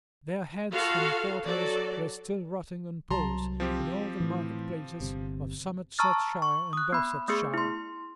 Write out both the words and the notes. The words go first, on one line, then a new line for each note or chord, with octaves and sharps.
Their heads and quarters were still rotting on poles in all the market places of Somersetshire and Dorsetshire.
F4 F#4 A4 F5
F#3 F#4 A4 D5
C2 F#3 A5 A#5 C6
F3 C4 G4
A2 E3
G1 C3
A5 A#5 C#6 E6 F6 A6
C#6
D#6 F#6
B3 B5
A3 B3 G#4
E4 C6